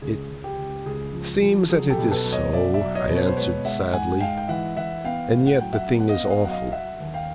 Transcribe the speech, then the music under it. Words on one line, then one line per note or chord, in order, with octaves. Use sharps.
"It seems that it is so," I answered sadly, "and yet the thing is awful."
C#2 G#4
C#2
G4
C#2
C#2 G#4
F3
F3
F#3 G#4
G4 A4
B2
A4 B4
F#3
C#5 D#5
B2 D5 E5
D5 E5
F#3
C#5 D#5
B2
B4 C#5
C5
G#3 B4 C#5
G#3 E5 F#5
G#2 F#5 G#5
G#3 F5 G5
G5
E3 E5 F#5
E3 E5 F#5
B3 F5 G5
A2
F#5
F#3 G5
E5 F#5
B3
F#5
D#5 F5
B3
F#5
D#5 F5
F#3 F#5
D#5 F5
F#3 E5 F#5
D#2
F5 G5